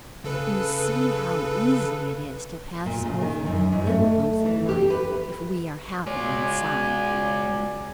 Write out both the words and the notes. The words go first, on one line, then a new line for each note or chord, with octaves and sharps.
You see how easy it is to pass over the little bumps of life if we are happy inside.
C#3 A4 B4
A#2
C#3
D#3
F#2
G#2
A3
E3
G4
B4
B2 G#3 C#5 D5 G#5